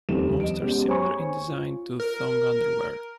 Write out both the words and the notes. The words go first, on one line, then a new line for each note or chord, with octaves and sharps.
Most are similar in design to thong underwear.
F1 D#2 G3 A3 C4 E7
D#5 D7
G#3 B3 C#4 G4
C5 C#5 G#5 C#6
F4
A#4